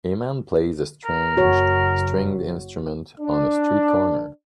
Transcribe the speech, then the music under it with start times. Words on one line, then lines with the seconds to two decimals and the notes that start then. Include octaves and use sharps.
A man plays a strange stringed instrument on a street corner.
1.05 A#4
1.37 F#1 F#4 C#5
3.20 D4